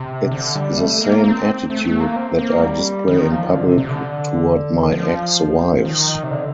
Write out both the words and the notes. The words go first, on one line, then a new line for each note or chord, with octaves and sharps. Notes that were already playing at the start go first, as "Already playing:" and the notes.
It's the same attitude that I display in public toward my ex-wives.
Already playing: C3
D3
G3
A3
A#3
C4
A3
A3
A#3
C4
A#3
G3
D#3
F3
D3
C3
C3
D3
F3
D#3
C3
D3